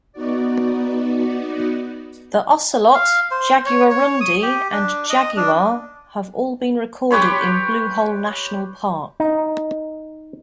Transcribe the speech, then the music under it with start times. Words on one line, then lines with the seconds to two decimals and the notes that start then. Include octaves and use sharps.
The ocelot, jaguarundi, and jaguar have all been recorded in Blue Hole National Park.
0.12 B3 D#4 F#4 D5
2.95 F5
3.31 C5
3.66 C#5
3.91 C#5
4.21 D#6
4.43 G4
4.72 D4
5.10 D#5
5.37 D4
7.11 G4 B4 C#5 C6
9.20 D#4